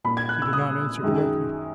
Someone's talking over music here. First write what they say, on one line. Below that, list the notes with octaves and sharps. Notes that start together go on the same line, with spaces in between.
She did not answer directly.
A#2 A#3 B5
G#6
F#6
E6
D#6
F#2 D#3 G#3